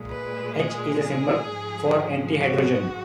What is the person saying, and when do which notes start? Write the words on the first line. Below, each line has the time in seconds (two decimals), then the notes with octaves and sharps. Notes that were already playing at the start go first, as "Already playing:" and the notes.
H is the symbol for antihydrogen.
Already playing: A#2 G#3
0.10 B4
0.56 G#4
1.49 G#2 F3 G#3
2.40 F#4